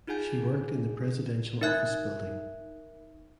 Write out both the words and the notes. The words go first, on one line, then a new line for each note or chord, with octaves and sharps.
She worked in the Presidential Office Building.
D#4 F4 G#4 F#5 G#5 G6
D#4 A#4 E5 F#6 G#6